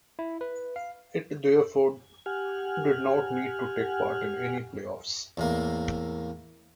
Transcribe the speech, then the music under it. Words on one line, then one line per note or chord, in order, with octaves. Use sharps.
It therefore did not need to take part in any play-offs.
E4
B4
F5
G4 F#5 G#5 F6
E2 A2 A#3